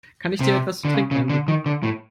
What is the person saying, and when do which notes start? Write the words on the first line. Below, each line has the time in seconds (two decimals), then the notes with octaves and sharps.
Kann ich dir etwas zu trinken anbieten?
0.41 C3
0.85 D3
0.94 C#3
1.11 C#3
1.30 D3
1.48 D#3
1.66 D3
1.83 A2